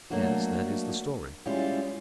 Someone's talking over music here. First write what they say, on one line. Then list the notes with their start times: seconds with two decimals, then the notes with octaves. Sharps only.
"Yes, that is the story."
0.10 F#3 A3 A#3 D4 F#4
1.46 G3 G#3 C#4 E4 F4 G4